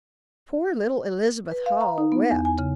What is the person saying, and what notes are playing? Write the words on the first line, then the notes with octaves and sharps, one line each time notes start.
Poor little Elizabeth Hull wept.
B4
F5
A#5
D#4
B3
E2
G#5
C#3